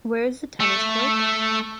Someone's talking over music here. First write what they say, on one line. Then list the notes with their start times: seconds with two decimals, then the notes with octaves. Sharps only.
Where is the tennis court?
0.60 A3